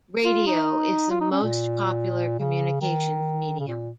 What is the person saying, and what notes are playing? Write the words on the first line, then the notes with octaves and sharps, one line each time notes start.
Radio is the most-popular communications medium.
F4
D#4
F4
D#4
C#4
A#2
C#3
D#3
C#3
A#2